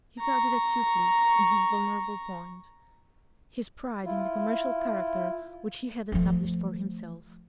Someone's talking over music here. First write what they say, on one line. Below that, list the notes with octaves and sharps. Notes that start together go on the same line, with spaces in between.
He felt it acutely in his vulnerable point--his pride in the commercial character which he had established for himself.
A#5 C#6
E4 F4
F3 A3